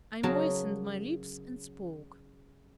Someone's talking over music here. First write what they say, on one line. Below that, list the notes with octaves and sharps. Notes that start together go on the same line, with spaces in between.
I moistened my lips and spoke.
C#3 F#3 F#4 A#4 A5